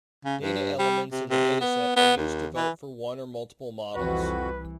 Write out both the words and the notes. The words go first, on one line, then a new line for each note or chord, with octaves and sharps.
Data elements in the dataset are used to vote for one or multiple models.
C#3
G2
G3
C3
C3
B3
B3
D#2
E3
C2 F2 E3 F#4 B4